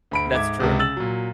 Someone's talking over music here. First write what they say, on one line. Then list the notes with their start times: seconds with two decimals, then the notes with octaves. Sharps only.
That's true.
0.11 D2 B5 D7
0.33 G#2 E5 D6 G#6
0.60 C#2 C3
0.79 C#3 E6 A6 F#7
0.97 A#2 F#3